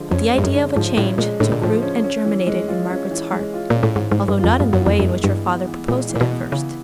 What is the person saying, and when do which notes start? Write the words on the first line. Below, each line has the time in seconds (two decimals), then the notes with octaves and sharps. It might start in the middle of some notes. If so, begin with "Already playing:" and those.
But the idea of a change took root and germinated in Margaret's heart, although not in the way in which her father proposed it at first.
Already playing: D3 F3 G#3
0.11 F2 C#4
0.34 G2 G#3
0.44 F#2
0.54 D3
0.75 G#2 F3
0.97 A2 C#4
1.18 A#2 G#3
1.40 A2 D3
1.52 A#2
1.62 A2 F3
1.82 C#4
2.04 C#4
2.25 E3
2.47 G#3
2.68 F4
2.90 C#4
3.11 E3
3.32 G#3
3.54 F4
3.70 A#2 C#4
3.83 A2
3.96 G#2 E3
4.12 G#2
4.17 G#3
4.28 G2
4.39 F2 F4
4.60 G2 B3
4.73 F#2
4.81 E3
4.86 F2
5.00 F#2 G#3
5.24 G2 E3
5.46 B3
5.67 E3
5.88 A#2 G#3
6.09 E3
6.16 A#2
6.21 B2
6.31 B3
6.52 C#3 E3